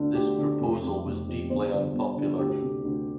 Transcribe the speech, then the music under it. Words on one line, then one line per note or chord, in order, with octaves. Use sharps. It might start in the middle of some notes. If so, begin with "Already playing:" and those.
This proposal was deeply unpopular.
Already playing: D2 D3
D2 G4
D3
F1
F2 C3
F1
F2 C3
G1 C5
G2 D3
G1
G2 D3
D2 G4
C3
D2